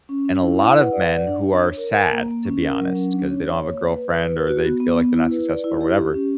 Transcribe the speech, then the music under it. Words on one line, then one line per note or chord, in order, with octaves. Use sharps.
and a lot of men who are sad, to be honest, 'cause they don't have a girlfriend, or they'd feel like they're not successful, or whatever.
C#4
C#4
E4
F#5
B4
D5
F#5
D4
D4
C#5
A#4
A#4
A#3
A#3
C#4
A#4
F#3
C#4
D4
C#5
C#5
A#3
B4
B4
B4
B4
F#4
B3
B3
B3
E4
B4
D5
E4
G4
G4
C#4